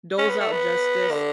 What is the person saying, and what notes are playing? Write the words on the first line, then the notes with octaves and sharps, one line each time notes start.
doles out justice,
C#4
B3
A3
B3
D3